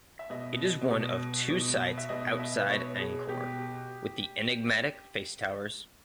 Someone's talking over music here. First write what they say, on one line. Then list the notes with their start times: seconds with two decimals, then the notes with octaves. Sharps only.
It is one of two sites outside Angkor with the enigmatic face-towers.
0.19 E5
0.30 B2 D#5
0.91 B2
1.50 B2
1.98 E5
2.09 B2 D#5
2.39 E5
2.58 B4
2.69 B2 C#5
2.99 G#4
3.29 B2 G4